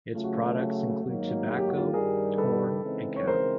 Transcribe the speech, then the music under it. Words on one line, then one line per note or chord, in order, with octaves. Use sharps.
Its products include tobacco, corn and cattle.
C#3 F#3 A3 F4
F#4
F4
F#4
G#2 D#3 F#3 A#3 D#4
G#4
G4
F#4
F4 G4
G2 D#3 G3 G#4 A#4
A4 B4
C#3 E3 G#3 C4 D#4
C#5
A#4 C5